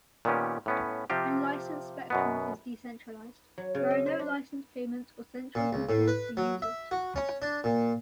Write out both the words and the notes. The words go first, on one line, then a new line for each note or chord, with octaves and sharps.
Unlicensed spectrum is decentralized: there are no license payments or central control for users.
A#2 D#3 B3 C#4 G4
A2 B3 C#4
C3 F3 C4 F4 G4
F#2 B2 B3
F#3
C#3
D#5
C5
D4
A#2
C#2
A2
B4
F#3
E5
F#4
C#4
D4
A#2